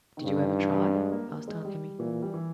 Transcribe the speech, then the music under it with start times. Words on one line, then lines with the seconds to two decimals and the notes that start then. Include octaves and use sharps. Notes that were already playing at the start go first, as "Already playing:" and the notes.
"Did you ever try?" asked Aunt Emmy.
0.17 D#3
0.24 G2 C#3
0.36 C#3
0.43 D#3
0.60 E3
0.78 G3
0.95 G#3
1.11 A#3
1.29 A#3
1.48 G#3
1.65 G3
1.99 A#2 E3
2.22 G3
2.34 E3